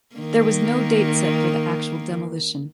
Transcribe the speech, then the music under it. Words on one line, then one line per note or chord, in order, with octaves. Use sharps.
There was no date set for the actual demolition.
D#3 A#3